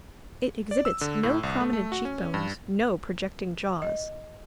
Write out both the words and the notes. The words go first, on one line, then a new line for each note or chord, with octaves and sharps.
It exhibits no prominent cheekbones, no projecting jaws.
D5
E6
D3
A2
C2
A3
A3
F#4
C#4
G2
D#5